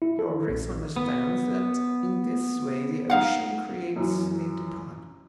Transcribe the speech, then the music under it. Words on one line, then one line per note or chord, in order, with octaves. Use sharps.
"Your Grace understands that in this way the ocean creates a department."
E4
A4
A#1
B3
D#4 F5 F#5
F#2 E3